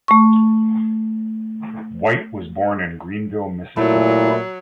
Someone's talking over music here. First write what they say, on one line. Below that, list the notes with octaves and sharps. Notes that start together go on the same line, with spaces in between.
White was born in Greenville, Mississippi.
A3 C#6
A#2 F#3 A3 E4